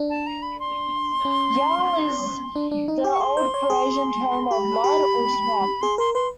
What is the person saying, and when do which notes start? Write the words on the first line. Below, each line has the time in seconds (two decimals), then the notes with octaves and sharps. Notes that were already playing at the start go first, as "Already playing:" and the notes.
'Ylow' is the Old Prussian term for 'mud' or 'swamp'.
Already playing: D4
0.10 A5
0.27 A#5
0.42 B5
0.60 C6
1.25 C#4
2.56 D4
2.71 D4
2.88 D#4
3.04 G4
3.13 C#6
3.20 G#4 C6
3.37 C5
3.54 C#5
3.70 G#4
4.51 G4 B5
4.84 G4
5.82 G#4 C6
5.98 A#4 C6
6.14 B4 C6